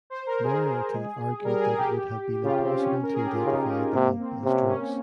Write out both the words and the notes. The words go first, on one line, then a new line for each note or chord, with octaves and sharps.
Moriarty argued that it would have been impossible to identify the lump as drugs.
C5
A#4
G#4
G#3
G3 A#4
G#4
G4
C#3 F4
C4
C#4
A#4
G#4
G4
F4
C#3 D#4
C#4
C3 A#3
C4
C3 C#4
C#4